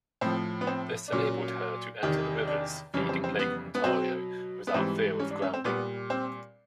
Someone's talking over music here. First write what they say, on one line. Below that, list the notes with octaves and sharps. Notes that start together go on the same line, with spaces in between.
This enabled her to enter the rivers feeding Lake Ontario without fear of grounding.
A2 F3 C4
B3
C4
D4
A#2 F#3 C#4
E2 C3 D#3
D4
F2 C#3 E3 G3 C#4
C4
C4
B3
B3
B2 F#3 C4
B3
G#2 E3 G3 C4
C#4
D4
C#4
C4
A#2 G3 B3
C4